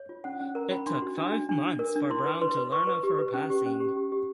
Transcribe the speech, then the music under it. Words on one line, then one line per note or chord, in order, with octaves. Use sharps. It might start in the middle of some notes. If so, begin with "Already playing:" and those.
It took five months for Brown to learn of her passing.
Already playing: C#5
F4
C#4 F#5
C#4 F#5
A#4 A#5
C#4 B5
D4 C6
F#4
D4
D4
D4
D4
A#4
D4
E4 C6
B4
B4 C6
B4
B4 C#6
B4
G4
B4
C#4
G4
C#4
G4
G4
G4